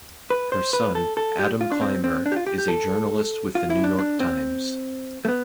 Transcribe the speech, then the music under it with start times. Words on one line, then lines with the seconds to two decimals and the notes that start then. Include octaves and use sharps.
Her son, Adam Clymer, is a journalist with the New York Times.
0.30 B4
0.52 C5
0.73 B4
0.95 A4
1.17 A4
1.39 G4
1.61 F4
1.72 D4
1.81 C4
2.04 C4
2.26 D4
2.32 G4
2.36 F4
2.46 G4
2.58 G4
2.68 A4
3.55 F4
3.70 E4
3.84 D4
3.99 D4
4.20 C4
5.25 A3
5.28 B3